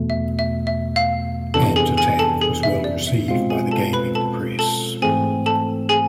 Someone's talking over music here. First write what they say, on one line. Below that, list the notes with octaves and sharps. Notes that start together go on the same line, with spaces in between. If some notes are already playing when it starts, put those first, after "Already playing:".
"Ant Attack" was well received by gaming press.
Already playing: E2 B2 A3
E5
E5
E5
F5
F2 C3 E3 B3 D4 A4 A5
G#4 G#5
G#4 G#5
A4 A5
G#4 G#5
E5
D5
E5
B2 G#3 C4 F4 F5
G#4 G#5
A4 A5
B4 B5
A4 A5
A4 A5
G#2 E3 A3 C4 G#4 G#5
A4 A5
G#4 G#5